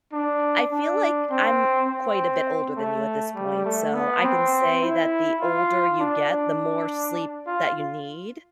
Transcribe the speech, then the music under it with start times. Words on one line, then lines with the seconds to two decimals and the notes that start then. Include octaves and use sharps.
I feel like I'm quite a bit older than you at this point, so I can say that the older you get, the more sleep that you need,
0.13 D4
0.72 D4
1.30 C4
1.89 C4
2.77 A3
3.35 G3
3.65 A3
3.94 B3
4.24 C4
4.82 E4
5.41 F4
6.00 D4
6.29 D4
7.46 F4